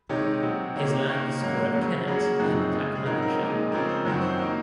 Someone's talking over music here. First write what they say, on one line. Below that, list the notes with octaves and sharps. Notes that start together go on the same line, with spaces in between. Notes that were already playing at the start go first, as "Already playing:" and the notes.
His lands were at Kennet in Clackmannanshire.
C3 D#3 G#3 D#4 C#5
C3 F#3 C4
D#3 A#3 C#4
D#3 A#3 C#4 A#4
G#2 F#3 A#3 C#4
F2 C#3 F#3 C#4
C#3 F#3 A#3 C#4 G#4
F#2 F3 C4 D#4
C#3 F3 G#3
G#4
C#3 F#3 C4 D#4 A#4
A#4
A#2 F3 G#3 D#4 A#4
C#3 F3 G#3 C4 A#4
C5
F#2 D#3 F#3 C4 C#5
C5
D#3 A#3 D#4 A#4